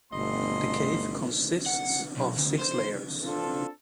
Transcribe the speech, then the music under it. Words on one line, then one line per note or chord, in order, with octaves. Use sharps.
The cave consists of six layers.
G1 B2 A3 D#5 C6
F#5
B1
D2
C5
C4 D4 F4 A4